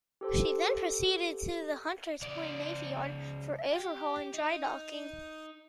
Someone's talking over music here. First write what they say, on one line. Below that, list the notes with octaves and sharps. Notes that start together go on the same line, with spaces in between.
She then proceeded to the Hunters Point Navy Yard for overhaul and drydocking.
G4 A4 C5
C#2 D5
G4
D#4